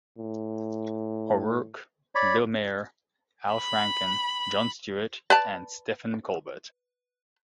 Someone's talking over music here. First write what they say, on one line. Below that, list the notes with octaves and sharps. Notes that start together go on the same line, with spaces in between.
O'Rourke, Bill Maher, Al Franken, Jon Stewart, and Stephen Colbert.
A2
C#5 D5 B5
B5
B4 D5 A5